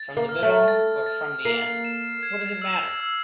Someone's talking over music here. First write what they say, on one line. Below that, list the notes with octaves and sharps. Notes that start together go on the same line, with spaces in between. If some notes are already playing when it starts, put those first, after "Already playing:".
From the middle or from the end — what does it matter?
Already playing: A6
A#3
F6
A3
A6
A6
A#3 C7
E7
G#6
E6
E6